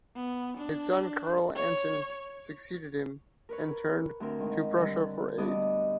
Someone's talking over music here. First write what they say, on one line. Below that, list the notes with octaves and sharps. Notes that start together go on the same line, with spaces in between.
His son, Karl Anton, succeeded him, and turned to Prussia for aid.
B3
D4
C#5
A#4 B4 C#5
D2 C4 A#4
G#2 D#3
D3 G3
D2 G2 B3 D#5 D6 D#6